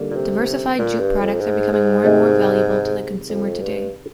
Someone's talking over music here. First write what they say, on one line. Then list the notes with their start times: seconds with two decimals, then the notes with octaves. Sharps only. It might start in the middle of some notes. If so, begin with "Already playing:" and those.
Diversified jute products are becoming more and more valuable to the consumer today.
Already playing: D3 G3 A#3 D#4
0.10 A#2
0.16 C3
0.79 A#2
1.00 G2
1.20 F2
1.41 G#2
1.73 G#2
2.04 C3 D#3 G#3 D#4
3.29 F2
3.61 G2